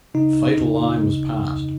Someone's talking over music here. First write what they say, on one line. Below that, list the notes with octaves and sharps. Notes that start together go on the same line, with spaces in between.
The fatal line was past.
C#3 D#4
F2
C#3
F2